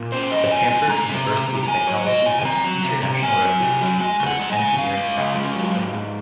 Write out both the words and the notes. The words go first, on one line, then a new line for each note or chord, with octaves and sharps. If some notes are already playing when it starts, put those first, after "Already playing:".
The Hamburg University of Technology has an international reputation for its engineering faculties.
Already playing: A#2
C#4 C5
A#2 D#5
A#2 G#5
G#3 G#5
C3 A#5
C3
C3
C3
A#5
A#3 G#5
F#3 C#5
C3 D#5
C3 G#5
G#5
C4 A#5
F#3
C3
C3
C4 G#5
F#3
C3
F#3
G#3 G#5
C#3
F#5
G#3
G#5
C#3
C#4 F5
G#3
C#3
G#3
F#3
G#2
G#2